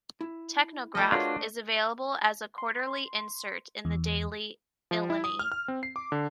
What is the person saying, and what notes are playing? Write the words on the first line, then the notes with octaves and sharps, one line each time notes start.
"Technograph" is available as a quarterly insert in the "Daily Illini".
E4
F3 A3 D#5
D4 F4 F#4 G#4 A#4 B4 C#5
C6
E2
F3
E4
D#6
F6
F6
C4
C7
D6
D3